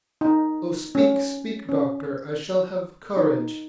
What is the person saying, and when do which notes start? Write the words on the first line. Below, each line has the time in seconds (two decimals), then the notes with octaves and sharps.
"Oh, speak, speak, doctor; I shall have courage."
0.21 D#4
0.95 C#4
1.69 C#4
3.17 D#4